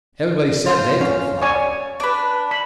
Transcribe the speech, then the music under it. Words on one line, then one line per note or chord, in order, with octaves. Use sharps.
Everybody said they could fly.
F4 A4 C5
C#4 F5
C#5 D5 G#5
D4 B4
B5